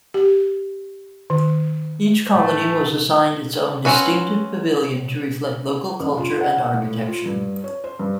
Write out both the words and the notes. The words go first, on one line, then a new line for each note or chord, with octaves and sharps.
Each colony was assigned its own distinctive pavilion to reflect local culture and architecture.
G4
D#3
A2 E3 F3 A3
C4 C#4 F#4 B4
F#1
F4
F#5
A2
F4
G2
C#5
C5
G2